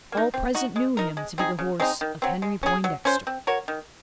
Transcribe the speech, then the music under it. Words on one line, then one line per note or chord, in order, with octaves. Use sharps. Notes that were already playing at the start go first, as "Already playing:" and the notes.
All present knew him to be the horse of Henry Poindexter.
A#3 D#4
C4
D#4 F#4
G#3
D#4 A#4
G#3
C4 D#4 G#4
C#3
G#3 C4 D#4
D#3
F#3 C4
G#3
C#4 F4 G#4
F#3
C#4 F4 C5
C4
F#4 A#4 C#5
D#3